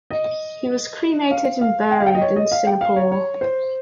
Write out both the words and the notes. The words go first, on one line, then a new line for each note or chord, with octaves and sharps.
He was cremated and buried in Singapore.
D#5
F5
F5
G5
F5
G5
D#5
C#5
D#5
F5
G5
F5
C#5
C#5
C5